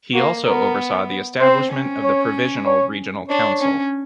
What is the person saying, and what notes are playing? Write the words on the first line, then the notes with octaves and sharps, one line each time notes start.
He also oversaw the establishment of the Provisional Regional Council.
A#3 F#4
B3 A#4
C4 C5
C#4
C#5
C#5
D4 C#5
C#4